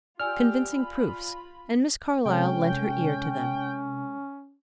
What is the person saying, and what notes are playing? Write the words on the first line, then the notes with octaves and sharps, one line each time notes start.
Convincing proofs; and Miss Carlyle lent her ear to them.
F4 G4 D5 G5 G#5 E6 F6
F4 B5
C3 G#3 C#4 A4 C#5 G5